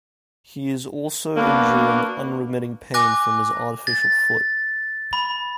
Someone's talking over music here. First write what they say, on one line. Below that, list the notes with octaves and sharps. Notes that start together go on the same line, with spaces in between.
He is also enduring unremitting pain from his artificial foot.
A#3 B3 D4 F#4
G#5 D6 F#6 A#6
A6
B5